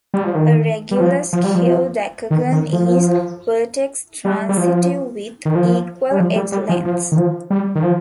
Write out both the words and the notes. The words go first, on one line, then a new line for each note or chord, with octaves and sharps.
A regular skew decagon is vertex-transitive with equal edge lengths.
G3
F3
D#3
G3
F3
F3
G3
F3
D#3
D#3
F3
G3
G3
F3
D#3
F3
G3
F3
G3
G3
F3
F3
D#3
F3
G3
D#3
F3